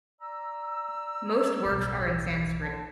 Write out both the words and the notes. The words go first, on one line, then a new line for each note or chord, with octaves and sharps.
Most works are in Sanskrit.
D5 A#5 E6
D1 B1
D3 C#5 A5